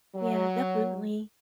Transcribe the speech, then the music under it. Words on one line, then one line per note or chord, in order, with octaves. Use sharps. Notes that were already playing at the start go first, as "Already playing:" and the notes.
Yeah, definitely.
F#3